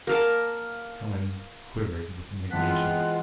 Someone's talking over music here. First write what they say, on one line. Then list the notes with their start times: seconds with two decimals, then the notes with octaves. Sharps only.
Helen quivered with indignation.
0.07 A#3 A#4 A5
2.51 E3 G#3 B3 C4 F4 F#5 A5 B6